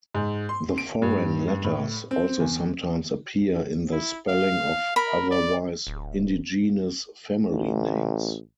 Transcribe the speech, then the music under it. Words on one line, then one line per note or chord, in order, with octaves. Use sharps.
The "foreign" letters also sometimes appear in the spelling of otherwise-indigenous family names.
G#2
C6
D7
G2
G2
A2
C4
E2
E4
F5
A#4 B5
D5
D1
A1